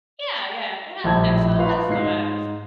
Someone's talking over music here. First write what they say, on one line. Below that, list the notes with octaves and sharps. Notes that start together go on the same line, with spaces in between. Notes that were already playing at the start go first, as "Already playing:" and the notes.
Yeah, yeah, it happens to the best of us.
A#1 A2 G3 C5 A5 G#6
F4 F#4 B4 F5 F#5
G#2 D#4 C7